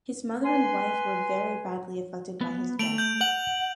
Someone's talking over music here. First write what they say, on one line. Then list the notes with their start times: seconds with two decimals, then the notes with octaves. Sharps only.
His mother and wife were very badly affected by his death.
0.45 B4 G#5 C6
2.41 B3
2.79 A3 D7 F7 F#7
2.98 G6 F#7
3.21 F#5 F#7